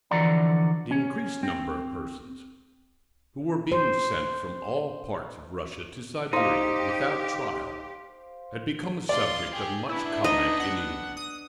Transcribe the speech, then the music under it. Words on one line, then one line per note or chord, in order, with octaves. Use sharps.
The increased number of persons who were being sent from all parts of Russia to Siberia without trial had become a subject of much comment in England.
D3 E3 F3 F#4 D5 A#5
C#4
C4
C5
D#4 G4 C5 F5
F4 D5 C6
G4 G#4
B3 D4 E4
D#4 D#5
F#5
D#6